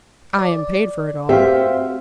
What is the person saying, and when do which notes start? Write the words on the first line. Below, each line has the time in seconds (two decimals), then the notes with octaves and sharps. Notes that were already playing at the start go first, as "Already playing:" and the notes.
"I am paid for it all."
0.39 D5
1.29 C4 F#4 G4 C5 E5 F5